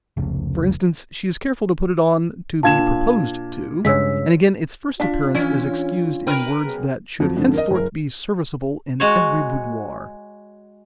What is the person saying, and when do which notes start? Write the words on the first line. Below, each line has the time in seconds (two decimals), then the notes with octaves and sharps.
For instance, she is careful to put it on to be proposed to; and again its first appearance is excused in words that should henceforth be serviceable in every boudoir.
0.17 F1 C#2
2.63 A#2 D4 F5 A5 G#6 E7
3.85 G2 C#3 G#3 C#5 E6 B6
5.00 D4 F4 F5 B6
5.35 E3 C#4 D4
6.27 A#4 B4 G5 F6
6.63 F#2 B3 G#4
7.20 F2 F#3
7.37 F2 G#2 D3
7.53 A#4 D#5
7.71 F#1 A#4
9.00 G#3 F#4 C#5